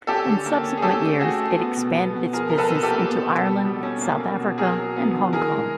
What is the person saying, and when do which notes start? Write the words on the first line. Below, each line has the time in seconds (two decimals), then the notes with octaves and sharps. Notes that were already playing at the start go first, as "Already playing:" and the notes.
In subsequent years, it expanded its business into Ireland, South Africa, and Hong Kong.
0.07 C#4 G4 A4
0.26 D3
0.46 A#3
0.64 C#4
0.77 G#4
0.82 C#4 G4 A4
1.02 A3
1.20 A3 F#4 G#4
1.39 A3
1.59 B3
1.76 B2
1.95 B3
2.15 B2
2.33 F3 G#4 A#4
2.50 F3 A#4
2.58 A4 B4
2.71 C3
2.83 G4 A4
2.89 A#3
3.08 B3
3.26 B2
3.45 G3
3.65 B2
3.83 C#4
4.01 A#3
4.20 A#3
4.39 B2
4.58 F#3 G#4 A#4
4.78 F#3
4.96 B3
5.14 D3
5.33 E3 G#4 A#4
5.52 G#3